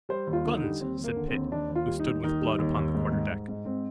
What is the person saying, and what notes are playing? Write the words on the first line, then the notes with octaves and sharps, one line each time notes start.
"Guns!" said Pitt, who stood with Blood upon the quarter-deck.
G3 C5
D#2
F4
D3
D#4
G3
D#2 C4
D#2
A#3
D3
C4
D#2
D#2 D4
D#2
F4
G3
D#4
D#2
D#3 D#4
G3
D#2
D#2
G#2
G#2
G#2
G#2
G#2 C4